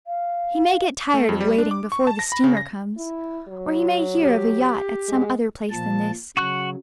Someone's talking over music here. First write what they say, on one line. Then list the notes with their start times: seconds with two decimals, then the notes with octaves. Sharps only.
He may get tired of waiting before the steamer comes, or he may hear of a yacht at some other place than this.
0.07 F5
1.14 A3
1.29 F2
1.41 G3
1.58 D4
1.71 D6
1.92 C#6
2.07 A5
2.19 A#6
2.32 B5
2.44 C#3
2.57 A#6
2.97 E4
3.48 F#3
4.21 G4
5.08 G#3
5.70 A#2 F3 A5
6.37 C#3 F#3 F#4 C#6 F#6